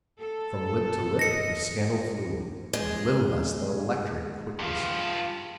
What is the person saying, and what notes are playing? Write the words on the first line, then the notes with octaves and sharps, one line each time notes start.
From lip to lip the scandal flew, with little less than electric quickness.
A4
D#5 A#6 C#7
G#3
G2 F4